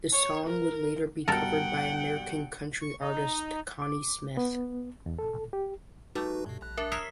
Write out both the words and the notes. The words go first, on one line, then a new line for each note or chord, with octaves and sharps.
The song would later be covered by American country artist Connie Smith.
C#5
A#4
G2 B2 A4 A#4 F#5 G5
C#6
D#4
D6
B3
E2
A4
G4
G3 A3 D#4 F#4 B4
G2 B2
A#1 F#6
D4 A#4 E5
A#4 C#5 E5 D#6 B6 C7